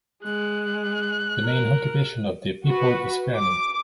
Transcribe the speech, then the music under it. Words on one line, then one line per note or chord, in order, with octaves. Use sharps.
The main occupation of the people is farming.
G#3 F#6
A#4
F#4 B4
D6